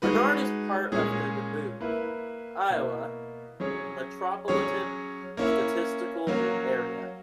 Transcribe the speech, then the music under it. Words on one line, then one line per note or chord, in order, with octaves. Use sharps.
Bernard is part of the Dubuque, Iowa Metropolitan Statistical Area.
G#3 D#4 F#4 B4
A#2 G#3 C#4 G#4
A#3 E4 B4
B2 A#3 E4
F#3 C#4 G#4 C#5
F#3 C#4 G#4 C#5
A#3 C#4 E4
F#3 A#3 C#4 F#4